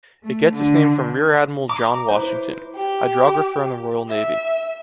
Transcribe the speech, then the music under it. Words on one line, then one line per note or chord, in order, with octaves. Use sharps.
It gets its name from Rear Admiral John Washington, hydrographer in the Royal Navy.
A3
D3
A#5 D6
E4 B4 C5
G4
E5